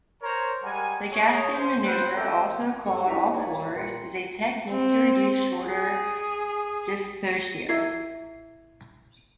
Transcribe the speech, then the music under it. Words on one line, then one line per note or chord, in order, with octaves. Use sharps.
The Gaskin Maneuver, also called all fours, is a technique to reduce shoulder dystocia.
A#4 C5 C#5 A#5
G3 G#3 A#4 F#5 G#5
G#4 C#5
C5
C4 F4 B4 C5
C4 G4 A4 A#4 E5 G5
G2 A4 C#6
D#4 E4 G4 E5 A#5 B6
D#4 C5
A#3 D#4 A#4 C#5 D5
A#2 B4 G5 C6 C#7
C4
G#4
E4 G#4 A#4 E5 G#6 C7